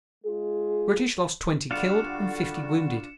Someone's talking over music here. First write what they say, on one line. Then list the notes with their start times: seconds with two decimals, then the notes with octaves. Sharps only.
The British lost twenty killed and fifty wounded.
0.24 G#3 F4 G#4
1.71 D3 G3 D4 F4 F#4 F5 C#7 E7